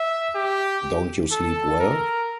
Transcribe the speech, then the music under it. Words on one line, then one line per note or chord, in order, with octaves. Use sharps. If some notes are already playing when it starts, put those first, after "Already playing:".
Don't you sleep well?
Already playing: E5
G4
A4
A#4